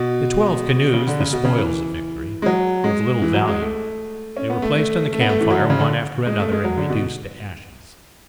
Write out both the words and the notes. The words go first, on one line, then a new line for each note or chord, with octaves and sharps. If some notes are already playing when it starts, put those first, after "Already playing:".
The twelve canoes, the spoils of victory, were of little value; they were placed on the camp fire one after another, and reduced to ashes.
Already playing: B2
C#3
D3
C#3
B2
C#3
E3
G#3
F#3
G#3
E3
F#3
G#3
A3
C#4
B3
A3
A3
A3
B3
A3
E3
F#3
D3
C#3
D3
G#3
A3
G#3
F#3
D3
B2